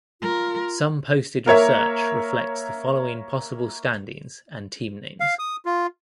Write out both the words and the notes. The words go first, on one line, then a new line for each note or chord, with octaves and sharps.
Some posted research reflects the following possible standings and team names.
F4 A#4
A#3 A#4 C#5 E5
F5
D#6
F4